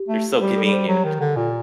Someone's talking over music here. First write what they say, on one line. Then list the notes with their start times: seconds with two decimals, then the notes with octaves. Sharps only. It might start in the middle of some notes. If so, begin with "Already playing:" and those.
they're so convenient,
Already playing: G4
0.08 A3
0.41 G3 G4
0.57 A4
0.65 G3
0.72 C5
0.88 F#3 G4
1.04 D#3
1.20 D3
1.36 A#2